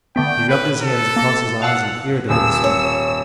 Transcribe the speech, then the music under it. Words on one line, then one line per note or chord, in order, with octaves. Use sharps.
He rubbed his hands across his eyes and cleared them of the smoke.
D3 A3 B3 G5
B4
A4
A#3
F5 F#5 A5 E6
D#1 E6
C#5